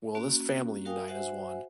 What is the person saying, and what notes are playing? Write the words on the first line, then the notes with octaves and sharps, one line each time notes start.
Will this family unite as one?
A#3 C#4 F#4
F#4 A#4 F5 G5 G#5 D#6
F#4 C5 E5 F#5 G#5